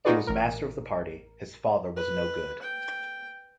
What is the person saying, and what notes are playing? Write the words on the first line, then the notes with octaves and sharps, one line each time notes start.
He was master of the party; his father was no good.
D#4 F4 F#4 G#4 B4 D5
A1 A#4
B4
G5